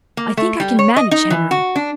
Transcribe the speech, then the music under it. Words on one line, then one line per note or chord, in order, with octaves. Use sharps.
I think I can manage Henry.
A#3
A3
G3
C#5
D#5
D#4
E3
F#4
D4